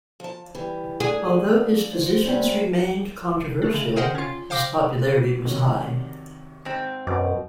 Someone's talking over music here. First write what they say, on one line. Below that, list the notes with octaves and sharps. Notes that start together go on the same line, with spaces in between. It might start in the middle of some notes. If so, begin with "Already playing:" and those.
Although his positions remained controversial, his popularity was high.
F3 A5
E3 G3
D4 F4 G#4
C5
C3 G3 C#4
G#3 A3 D4
C#3
G#4 A#4 C5 D#5 F#5 G5
C#4 F4
C5 F5 G5 D6 G6 A#6
C3 D#3 F#3
G#2 C4
F#2 B2 D6